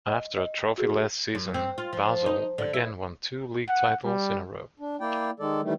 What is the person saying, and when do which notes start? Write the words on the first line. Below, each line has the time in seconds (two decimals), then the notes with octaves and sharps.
After a trophy-less season, Basel again won two league titles in-a-row.
0.07 D#5
0.37 D#5
0.78 F#4 G#4
1.35 F#2
1.54 C4
1.78 F4
1.93 F3
2.26 D#4
2.58 D3
2.74 E4
3.69 F#5
4.05 G3
4.79 D4
5.01 A#3 E4 D5 G5
5.40 D#3 G#3 A4 D5
5.63 D#3 E3 G3 A3